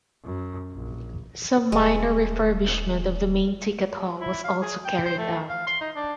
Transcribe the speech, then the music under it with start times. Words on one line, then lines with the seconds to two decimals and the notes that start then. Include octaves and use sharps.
Some minor refurbishment of the main ticket hall was also carried out.
0.24 F#2
0.72 A#1
1.72 D#1 G#3
4.21 E4
4.44 F5
4.62 G#4
4.85 G5
5.05 C5
5.18 A3
5.49 F5
5.67 C6
5.81 D#4
5.96 D4